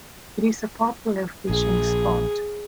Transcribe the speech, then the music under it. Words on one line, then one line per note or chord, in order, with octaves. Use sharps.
It is a popular fishing spot.
A#1 G#4